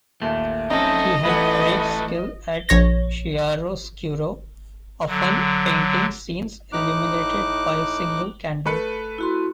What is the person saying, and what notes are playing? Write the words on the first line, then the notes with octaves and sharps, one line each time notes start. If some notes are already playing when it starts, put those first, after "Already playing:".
He had great skill at "chiaroscuro", often painting scenes illuminated by a single candle.
D#2 A#2 A3
C4 C#4 D#4 A4 D#5
A2 E3 A3 F4 A4 B4 F#5
A#1 C#5 A#6
D3 F#3
A2 D#4 D6 F#6
A3 B4 C#7
E4 F#4 C6